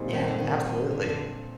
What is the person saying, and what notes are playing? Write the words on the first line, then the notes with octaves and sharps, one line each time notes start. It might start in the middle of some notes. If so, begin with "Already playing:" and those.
Yeah, absolutely.
Already playing: A#2 G3 C4 D#4
D#3
D3
D#3
D#3
D3
D3